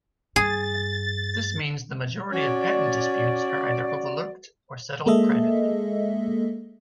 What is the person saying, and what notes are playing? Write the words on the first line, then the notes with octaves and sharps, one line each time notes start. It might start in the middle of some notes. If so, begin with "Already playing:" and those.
This means the majority of patent disputes are either overlooked or settled privately.
G2 G#4 A6
C#4 F#4 D5
G#3 A#3 G#4 A4 D#5 E5